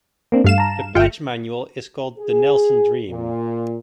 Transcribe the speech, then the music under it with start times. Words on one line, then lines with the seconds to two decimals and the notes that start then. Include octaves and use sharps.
The pledge manual is called The Nelson Dream.
0.32 A#3 C4 D4
0.44 G2 A3 F5 E7
0.58 A5 A#5
0.95 G1 F4 G5 F6 C#7
2.18 G#4
3.10 A#2